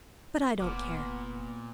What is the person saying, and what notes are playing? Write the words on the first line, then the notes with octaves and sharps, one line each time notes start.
But I don't care.
F1 A#2 B3 D6 F6